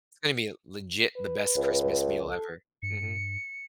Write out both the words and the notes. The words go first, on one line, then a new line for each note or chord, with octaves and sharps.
It's gonna be legit the best Christmas meal ever. Mhm.
B4
C#2
A4
G2 C#7